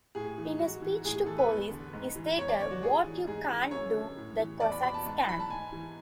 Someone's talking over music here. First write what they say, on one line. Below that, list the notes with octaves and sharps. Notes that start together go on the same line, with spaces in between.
In a speech to police he stated, What you can't do, the Cossacks can.
A2 G#4
E3
G#2 F#4
E3
A2 G#4
G#4
E3 A4
B4
E2
D3
G#2
E3
E2 C#5
D5
D3 C#5
F#4
G#2 G#4
E3
G#2 G#4
E3
F#2 C#5
D3
A2
E3
E2 D5
B5
B2 B5
A5
G#2
E3 B5
A5
G#2 G#5
E3